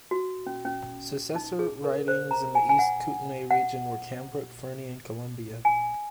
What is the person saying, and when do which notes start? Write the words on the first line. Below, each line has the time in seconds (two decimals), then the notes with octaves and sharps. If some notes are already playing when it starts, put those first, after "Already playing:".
Successor ridings in the East Kootenay region were Cranbrook, Fernie, and Columbia.
0.11 F#4
0.47 C#4
0.65 C#4
1.36 D#4
1.59 G#4
1.84 A#4
2.08 C5
2.31 A#5
2.55 G#5
2.69 G#5
2.79 F#5
3.51 F#5
5.65 G#5